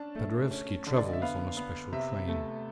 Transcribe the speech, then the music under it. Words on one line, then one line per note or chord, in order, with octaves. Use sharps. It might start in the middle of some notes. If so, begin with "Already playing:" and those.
Paderewski travels on a special train.
Already playing: C#4 D4 A5
A3
C#4
D3
D5
D#5
E5
B3 F5
B3
C3 E5
A3